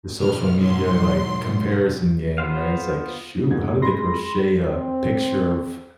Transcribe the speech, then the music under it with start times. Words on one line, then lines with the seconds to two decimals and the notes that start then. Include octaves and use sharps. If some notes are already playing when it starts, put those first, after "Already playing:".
The social media, like, comparison game, right, it's like, "Shoot, how did they crochet a picture of
0.20 B1 F6
0.58 G#2 F#3 C6
2.38 B3 F4 C5 F5
3.51 F1 G#2 G#6
3.82 G#3 B5 C6 A#6
4.68 C4